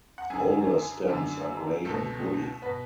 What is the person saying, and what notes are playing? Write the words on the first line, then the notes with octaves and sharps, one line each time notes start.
Older stems are grey and woody.
F#5
F#2 D3 G#4 G#5
F#2 D3
C#2 B2 A3 A4
B2 B3 B4